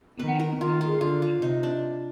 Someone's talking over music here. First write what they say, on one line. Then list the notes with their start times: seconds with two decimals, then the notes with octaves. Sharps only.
He died fifteen minutes later.
0.19 D#3 B4
0.40 A#4
0.60 D#3 F4
0.81 F4
1.01 D3 F4
1.22 F4
1.42 C3 D#4
1.63 D4